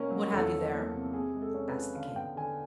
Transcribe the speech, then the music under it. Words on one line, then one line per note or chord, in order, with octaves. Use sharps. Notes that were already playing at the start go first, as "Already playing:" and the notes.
"What have you there?" asked the king.
Already playing: B2 A#3 C#4 A#4
F#3
E2 A4
F3
A#3
C3
C3 G#4
G#3
A4
C#4
B4
F3
D3 F5
B3 G5
D3 G#5